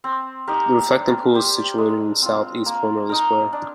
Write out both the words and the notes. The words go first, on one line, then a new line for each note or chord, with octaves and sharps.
The reflecting pool is situated in the south-east corner of the square.
C4
D#4 G4 A#4
D4
G4 C5
G#3
C4 F4
A#3
D#4 A#4
D4